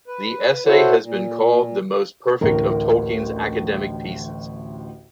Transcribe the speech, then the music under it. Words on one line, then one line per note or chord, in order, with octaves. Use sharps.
The essay has been called "the most perfect of Tolkien's academic pieces".
B4
E4 F#4 A4 C5 C#5 F#5
A#2
A1 D2 A2 A#4